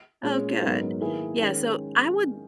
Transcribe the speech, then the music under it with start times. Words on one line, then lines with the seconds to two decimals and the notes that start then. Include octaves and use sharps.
Oh, good. Yeah, so I would
0.23 A#2 G#3 C#4
0.62 G#2 F#3 B3 D#4 A#4
1.01 D#3 A#3 E4 G#4 B4
1.39 D#3 G#3 C#4